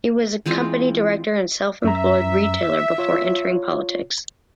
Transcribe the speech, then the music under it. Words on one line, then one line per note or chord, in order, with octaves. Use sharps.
He was a company director and self-employed retailer before entering politics.
E3 G#3 C4 F4
F#2 E5 A#5
F4 C#5